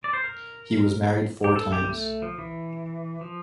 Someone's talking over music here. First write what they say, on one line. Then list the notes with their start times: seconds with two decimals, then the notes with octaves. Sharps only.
He was married four times.
0.04 D5
0.13 C5
0.24 A#4
1.44 G4
1.56 A4
1.72 G4
1.84 G3
1.89 A3
2.22 F3
2.38 E3
3.21 F3